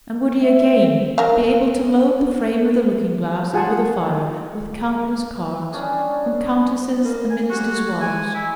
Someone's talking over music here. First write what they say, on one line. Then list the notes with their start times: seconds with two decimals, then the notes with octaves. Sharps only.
And would he again be able to load the frame of the looking-glass over the fire with countless cards from Countesses and Ministers' wives?
0.42 E5
1.18 F#3 A#4 F5
3.53 F4 G#4 F#5 G#5 A5
5.72 G3 C#4 D4 G#4
7.05 A#3
7.30 G#5
7.50 G3 F#4
8.01 G#3 G#5
8.35 E4